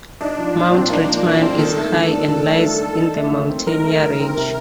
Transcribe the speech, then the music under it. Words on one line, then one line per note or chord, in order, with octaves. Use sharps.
Mount Rittmann is high and lies in the Mountaineer Range.
D4 D#4
F3
A#2
C4
A#3 D#4
F3
A#2
C4
D#3 A4
A3
D#3
D4
D#3
A3
D#3
D4
D#4
A3
D#3
C4
D#4 A#4
A3
D#3
C4
C3